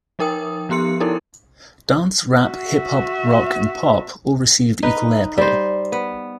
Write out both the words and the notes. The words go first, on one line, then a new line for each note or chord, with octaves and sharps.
Dance, rap, hip-hop, rock, and pop all received equal airplay.
F3 D#4 A#4 G5 D#6
F3 B3 G4 C6 C#7
D#4 E4 A4 A#4
F#4 E5
D#4 B4
G3 C5
B3